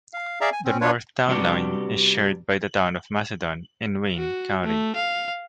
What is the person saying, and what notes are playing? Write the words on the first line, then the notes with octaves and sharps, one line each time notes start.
The north town line is shared by the town of Macedon in Wayne, County.
F5
G#4 D5 E5 F5 A#5
G#5
C4 C#4
D4 F4 B4 C#5
C3 G3 B3 D4 F#4 G4
F#4
A3
F5